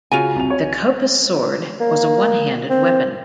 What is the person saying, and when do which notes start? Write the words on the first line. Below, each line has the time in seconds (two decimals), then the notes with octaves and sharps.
The kopis sword was a one-handed weapon.
0.12 C#3 F4 F#4 G#5
0.36 C2 F7
0.50 C#5
1.80 A#3
2.70 C4